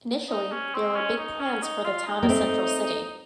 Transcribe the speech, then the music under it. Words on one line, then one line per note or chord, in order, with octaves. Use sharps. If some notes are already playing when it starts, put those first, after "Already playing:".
Initially, there were big plans for the town of Central City.
D#4
C#4
C4
C#4
D#4
C#4
D#4
F4
D#4
A#3
A3 C4